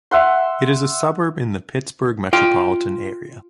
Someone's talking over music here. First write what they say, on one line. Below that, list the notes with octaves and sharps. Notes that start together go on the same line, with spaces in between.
It is a suburb in the Pittsburgh metropolitan area.
E5 F#5 C6
F4 G5